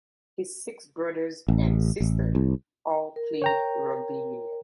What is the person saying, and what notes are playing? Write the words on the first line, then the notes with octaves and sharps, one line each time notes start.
His six brothers and sister all played rugby union.
A1
A1
C2
A#4
C#5 G5 A#5